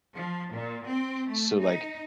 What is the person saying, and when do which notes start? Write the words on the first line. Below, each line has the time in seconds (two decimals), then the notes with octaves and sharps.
So, like,
0.14 F3
0.52 A#2
0.87 C4
1.28 A3
1.62 D#4